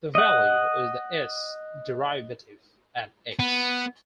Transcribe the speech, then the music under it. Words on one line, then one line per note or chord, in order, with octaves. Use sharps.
The value is the "S" derivative at "x".
D#5 F#5
B3